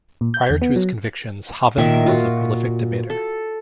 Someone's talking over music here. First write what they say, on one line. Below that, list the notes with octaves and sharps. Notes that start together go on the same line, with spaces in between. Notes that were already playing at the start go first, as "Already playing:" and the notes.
Prior to his convictions, Hovind was a prolific debater.
A#2
G6
E2
B3
F#3
A#2 D#3 A#4 E5
F4 F#4
A4